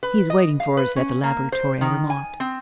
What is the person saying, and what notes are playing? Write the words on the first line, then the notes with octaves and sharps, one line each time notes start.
"He's waiting for us at the laboratory," I remarked.
B4
D#5
F5
B4
C#4
A#3
C5
D#3
G#5
C4